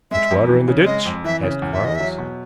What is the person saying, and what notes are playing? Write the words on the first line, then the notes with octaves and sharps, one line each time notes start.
"Much water in the ditch?" asked Quarles.
G#3 E5
F2
E3
C#3
G#3 D#5
F2
E3 E5
C#3
E2
E5
E2 D#5
F#3 E5
B2